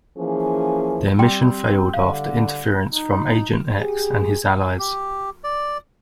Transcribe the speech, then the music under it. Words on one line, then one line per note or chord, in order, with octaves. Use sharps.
Their mission failed after interference from Agent X and his allies.
E3 F3 A#3 C#4 G#4
G3 C4 G5 C6
D3 F5
D#4
G4 G#4
G4
D5